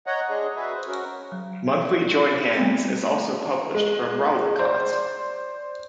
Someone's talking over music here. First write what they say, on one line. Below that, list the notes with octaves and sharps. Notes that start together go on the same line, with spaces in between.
Monthly Join Hands is also published from Rawalakot.
C#5 D#5 F#5 A#5
G#3 D4 G#4 D#5
F#4 G#4 B4 E5
C5
G#3 C#4 F#4 A#4
F#3
G3 A3 B3 C4
G#3
C5 D5